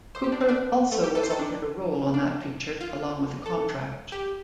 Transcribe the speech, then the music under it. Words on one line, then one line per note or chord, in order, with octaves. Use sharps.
Cooper also was offered a role on that feature along with a contract.
C5
G4
D4
C4
D4
A3
G4
A4
C5
A4
D4
D4
F4
A4
G4